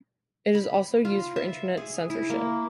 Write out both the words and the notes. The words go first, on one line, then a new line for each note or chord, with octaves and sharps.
It is also used for Internet censorship.
B5
F4
E5
G#4
E4
A#3